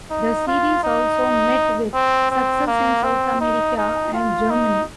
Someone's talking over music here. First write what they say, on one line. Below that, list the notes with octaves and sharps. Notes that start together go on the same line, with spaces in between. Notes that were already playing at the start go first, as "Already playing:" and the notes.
The series also met with success in South America and Germany.
D#4
F4
D#4
C4
C4
A#3
C4
D#4
D#4
F4
D#4